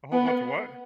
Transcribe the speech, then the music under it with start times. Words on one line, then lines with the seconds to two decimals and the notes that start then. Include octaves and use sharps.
A whole bunch of what?
0.12 B3